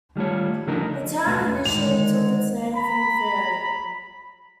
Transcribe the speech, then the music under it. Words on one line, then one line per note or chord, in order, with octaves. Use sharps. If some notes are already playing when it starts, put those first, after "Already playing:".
The town initially took its name from the ferry.
D#3 G3 A3 F4 C#5
C#3 F3 A3 D4 D#4 A#4
D#5
B1 E2 A3 F#4 B4
D3 D#3 G#3 F7
A#5 B5